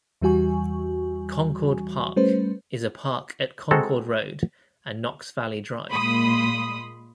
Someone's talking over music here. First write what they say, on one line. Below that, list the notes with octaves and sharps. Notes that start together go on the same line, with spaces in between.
Concord Park is a park at Concord Road and Knox Valley Drive.
E2 E3 G3 F#4 G#5 C#6
G3 A3 C#4 B4 C5
G#3 C4 F#4 A4 A#5
A#2 G#3 A#3 B5 C6 D#6